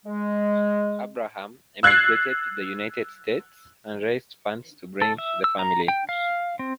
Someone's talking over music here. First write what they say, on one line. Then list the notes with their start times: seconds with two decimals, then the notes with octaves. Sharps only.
Abraham emigrated to the United States and raised funds to bring the family.
0.06 G#3
1.83 E6 F#6 G#6 A6 C7
5.02 A4
5.18 E5
5.44 E6
5.59 A#5
5.88 G5
6.09 F5
6.59 C4